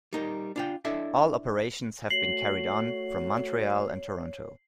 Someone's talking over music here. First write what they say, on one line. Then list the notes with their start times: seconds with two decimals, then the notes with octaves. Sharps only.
All operations have been carried on from Montreal and Toronto.
0.13 G3 D#4 A#4
0.56 D4 F4 G5
0.85 D4 E4 A4 D#5 E5
2.10 A3 F#4 C#5 C7 F#7